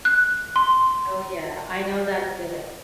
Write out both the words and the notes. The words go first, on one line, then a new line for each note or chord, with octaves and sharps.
Oh, yeah, I know that feeling,
F#6
C6